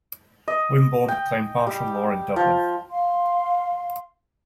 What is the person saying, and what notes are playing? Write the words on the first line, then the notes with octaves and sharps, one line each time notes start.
Wimborne proclaimed martial law in Dublin.
D#5
G5
G3
F3
F5 C6